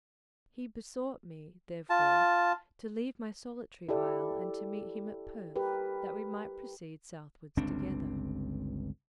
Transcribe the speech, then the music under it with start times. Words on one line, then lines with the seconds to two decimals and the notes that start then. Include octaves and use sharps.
He besought me, therefore, to leave my solitary isle and to meet him at Perth, that we might proceed southwards together.
1.90 F4 A5
3.89 E4 G4 A4 D5
5.56 G4 A#4 B4
7.57 G1 C#2 C4 D4